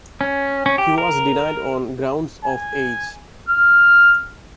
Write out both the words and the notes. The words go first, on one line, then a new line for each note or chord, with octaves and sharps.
He was denied on grounds of age.
C#4
C#4
G4
A#4
G#5
F6